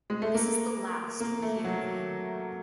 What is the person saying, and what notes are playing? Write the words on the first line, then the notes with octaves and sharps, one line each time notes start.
This is the last we hear of him.
G#3
A3
A#3
A#3
A3
F#3